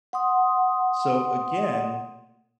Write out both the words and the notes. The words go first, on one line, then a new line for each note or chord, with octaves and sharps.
So, again,
F#5 C6 D#6